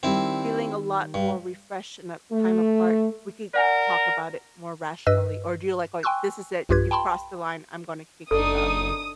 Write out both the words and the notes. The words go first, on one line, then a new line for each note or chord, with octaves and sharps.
feeling a lot more refreshed in that time apart, we could talk about it more rationally." Or do you like going, "This is it. You've crossed the line. I'm gonna kick you out."
D#3 G3 C4 E4
G2
A3
A#4 D5 F#5 G#5
G2 B4 D#5 E6
G5 G#5 C6 C#6 E6 F#6
B1 G2 F4 G4 B4 G#6
G5 A5 B5 C6
F#1 D4 D#4 A4 D#6